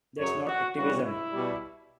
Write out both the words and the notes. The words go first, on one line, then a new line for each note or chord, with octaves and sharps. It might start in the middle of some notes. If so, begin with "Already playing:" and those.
That's not activism.
F#2 C#3 F#3 C#5
F#4
C#3 E3 G3 F#4
E4
B2 G3